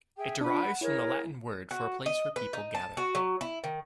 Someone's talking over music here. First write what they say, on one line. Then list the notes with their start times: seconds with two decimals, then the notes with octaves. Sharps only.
It derives from the Latin word for a place where people gather.
0.17 G#4 E5 G5
0.41 D4 F4 B4 B5
0.63 F#5
0.81 E4 G#4 A#4 C#5
1.71 F#4
2.06 D#5
2.36 B4
2.53 D#4
2.75 A5
2.97 F#4
3.15 F#3
3.41 E4
3.64 D#3